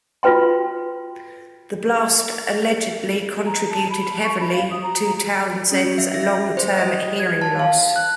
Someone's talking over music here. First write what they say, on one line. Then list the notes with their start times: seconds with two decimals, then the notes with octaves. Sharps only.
The blast allegedly contributed heavily to Townshend's long-term hearing loss.
0.23 F4 F#4 B4 G5 C6
3.46 A#5
3.70 A5
3.90 B5
4.24 C#6
4.40 B5
4.53 F5
4.71 D#6
4.83 A#5
5.72 C#4
5.98 E5
6.14 A#6
6.57 C5
6.78 D#5
7.20 G#6
7.41 A5
7.59 F5
7.96 F#6